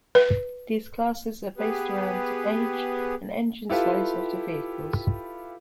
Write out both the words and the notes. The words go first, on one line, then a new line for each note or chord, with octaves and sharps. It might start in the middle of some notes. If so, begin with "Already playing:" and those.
These classes are based around age and engine size of the vehicles.
B4
B3 G4 G#4 B4
E4 F4 G4 A4 B4